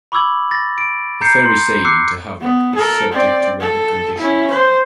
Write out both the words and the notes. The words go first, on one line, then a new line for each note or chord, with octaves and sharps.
The ferry sailing to Havelock is subject to weather conditions.
B5 C#6 D6 E6 G#6 F#7
A6 A#6
D7
A#5 G6 C7 C#7
C6
D6 E6 F#6 C7 C#7
B3
A4 A#4
C4 D5
A4
C#4 E4
C5